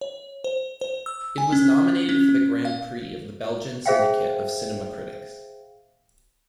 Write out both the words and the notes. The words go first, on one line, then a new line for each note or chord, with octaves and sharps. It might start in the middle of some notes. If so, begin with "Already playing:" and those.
It was nominated for the Grand Prix of the Belgian Syndicate of Cinema Critics.
C#5
C5
C5
E6
G#5
C#4
C#4
F5
G#4 C5 E5 F5 G5